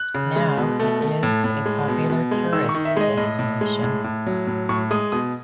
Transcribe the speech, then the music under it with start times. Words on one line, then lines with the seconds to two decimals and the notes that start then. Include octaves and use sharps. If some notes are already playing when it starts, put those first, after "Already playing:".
Now it is a popular tourist destination.
Already playing: F#6
0.15 C#3
0.36 G#3
0.57 B2
0.80 A3
1.01 A3
1.23 A2
1.44 A2
1.66 G#3
1.88 B2
2.10 B2
2.31 G#3
2.53 D#3 E6
2.69 C#6
2.74 D#3
2.85 E5
2.97 G#3 D#5
3.17 A2 D#5
3.39 A2
3.61 G#3
3.83 A2
4.04 A2
4.26 F#3
4.47 A2
4.69 A2 C#6
4.91 G#3 D#6
5.12 B2 D#6